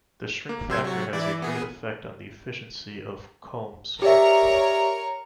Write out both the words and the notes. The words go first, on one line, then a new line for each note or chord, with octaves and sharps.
The shrink factor has a great effect on the efficiency of comb sort.
A#3
C3 F#3 C5 E6 G#6
F#3 F#4
E3 E4 D5
B3 G#4
G4 A#4 C#5 D5 E5 A#5